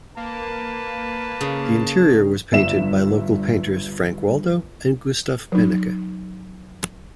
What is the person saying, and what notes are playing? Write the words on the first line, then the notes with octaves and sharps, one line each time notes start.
The interior was painted by local painters Frank Waldo and Gustav Behncke.
A#3 B4 A5
C#3
G1 G2 E5 E7
F#3 D#4